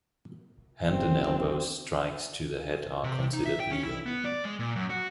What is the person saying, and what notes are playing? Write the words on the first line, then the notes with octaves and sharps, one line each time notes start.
Hand and elbows strikes to the head are considered legal.
F#1 C4
C3
D#4
E5
G5
C#4
E4
B3
D5
G#3
A#2
F#2
F#4